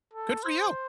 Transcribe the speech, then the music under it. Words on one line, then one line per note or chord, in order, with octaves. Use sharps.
Good for you.
A4
C5